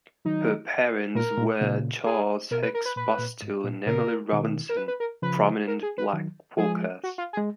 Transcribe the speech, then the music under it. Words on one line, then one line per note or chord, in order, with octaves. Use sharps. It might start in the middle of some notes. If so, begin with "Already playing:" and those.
Her parents were Charles Hicks Bustill and Emily Robinson, prominent black Quakers.
D#3 F#3 D#4
A#2 A#4
A#2
A#2 C#3
G#4
B2 A#4
B4
A#4
B4
A#2 B4
A#2
G#2
A#2
A#2 C#3 A#4
B2 D#3
A#4
B4
B4
A#4
C#3 F3 B4
A#4
G#4
B4
D#3 F#3
F3 G#3 G#4
F#4
F4
G#4
G#3